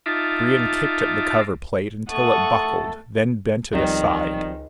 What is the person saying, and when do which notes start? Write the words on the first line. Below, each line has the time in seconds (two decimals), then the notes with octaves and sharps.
Brion kicked at the cover plate until it buckled, then bent it aside.
0.06 D#4 F4 E5 A5 D6
2.10 A3 A4 F#5 C#6 D#6
3.72 C#2 D#3 F3 G3 C4